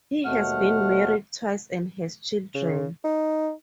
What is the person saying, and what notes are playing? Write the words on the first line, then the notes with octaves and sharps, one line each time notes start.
He has been married twice and has children.
D#2 B2 A3 F#5 F6
C#3
D#4